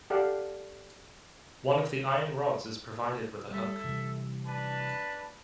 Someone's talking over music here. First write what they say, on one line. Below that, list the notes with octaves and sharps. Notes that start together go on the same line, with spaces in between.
One of the iron rods is provided with a hook.
G4 A4 D5 F5 F#5 A5
G3 A4 E5
C3 E3 G3
D4 B4 A5